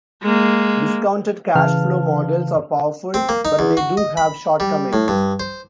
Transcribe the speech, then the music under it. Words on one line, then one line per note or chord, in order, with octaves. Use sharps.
Discounted cash flow models are powerful, but they do have shortcomings.
G#3 A#3
C#3 E3 B4 F5 A5 F6
C4
A#3
D#4
E2
F#4
D#5
B5
G3
A2
G2
C5